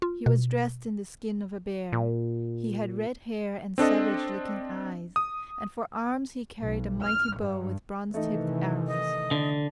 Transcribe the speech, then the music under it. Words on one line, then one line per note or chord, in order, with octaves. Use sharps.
He was dressed in the skin of a bear; he had red hair and savage-looking eyes, and for arms he carried a mighty bow with bronze-tipped arrows.
F4
B2
A#2
C4 D4 A4 D#5
D#6
B1
F6
G2
C3 D#3 E3 A3 D#4
D#5
D3